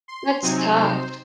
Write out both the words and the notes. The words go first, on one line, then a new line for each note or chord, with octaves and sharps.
that's tough.
C6
C3 F#3 C4 D#4 G#5
C5